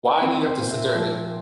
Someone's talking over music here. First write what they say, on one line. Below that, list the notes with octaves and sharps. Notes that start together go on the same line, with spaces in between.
Why do you have to sit there and then
C4 B4
C5
A#2
E5
F3